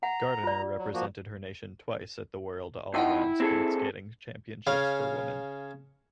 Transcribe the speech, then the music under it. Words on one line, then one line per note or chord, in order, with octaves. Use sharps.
Gardiner represented her nation twice at the World Allround Speed Skating Championships for Women.
F#5 A#5
F4 D5
F#3
F3 A#3 F#4
F2 F3 D#4 E4 F#5 G5 E6
C4 G#4 A4
C#3 C#4 F5